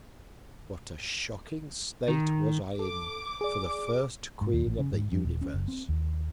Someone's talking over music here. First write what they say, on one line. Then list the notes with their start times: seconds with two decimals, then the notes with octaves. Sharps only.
What a shocking State was I in for the first Queen of the Universe!
2.08 D#3
2.79 A4 D6
3.41 G#4 D5 D6
4.41 G#2
4.53 D#2
4.66 A1
4.79 C#3
4.93 G#2
5.12 F2
5.25 D#1
5.41 C#4
5.54 F#1
5.68 C4
5.89 D#2